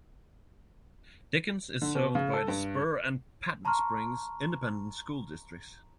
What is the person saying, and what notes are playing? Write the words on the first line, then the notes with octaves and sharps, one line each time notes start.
Dickens is served by the Spur and Patton Springs Independent School Districts.
D3
B2
C#3
A4
G2
A5 A#5 C6 C#6 F6